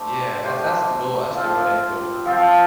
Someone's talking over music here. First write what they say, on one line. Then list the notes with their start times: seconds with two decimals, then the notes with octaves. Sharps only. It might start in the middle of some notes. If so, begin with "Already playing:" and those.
yeah, that's that's the goal that's the real end goal for me.
Already playing: A3 D4 G4 C5
0.44 A3 D4 G4 C5
1.34 F3 C4 F4 C5
2.26 F3 C4 F4 C5